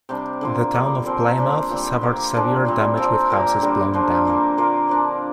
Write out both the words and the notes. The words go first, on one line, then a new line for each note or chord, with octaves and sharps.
The town of Plymouth suffered severe damage with houses blown down.
C3 G3 D4
D3 A#3 F4
D3 G3 A#3
A#2 F3 C4 A#4
F3 D4 G4
G3 C4 F4
D3 A#3 G4
A#2 F3 D4
A#2 G3 C4 F4
F3 C4 F4 A#4
A#2 A#3 G4 A#4
D3 G3 D4
F3 D4 F4 A#4
G3 A#3 F4 A#4
D3 A#3 F4 A#4
F3 D4 A#4